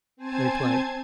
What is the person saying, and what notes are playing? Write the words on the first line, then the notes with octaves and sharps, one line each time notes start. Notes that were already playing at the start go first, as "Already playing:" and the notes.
They play.
C4 C5 G#5 A5 G#6